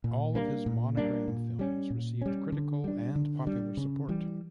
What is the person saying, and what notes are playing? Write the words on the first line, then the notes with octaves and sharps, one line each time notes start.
All of his Monogram films received critical and popular support.
A#2
G3 A#3 D4
A#2
G3 A#3 D4
A#2
G3 C#4
A#2
G3 C#4
D3
G3 D4
D3
G3 D4
C#3
E3 G3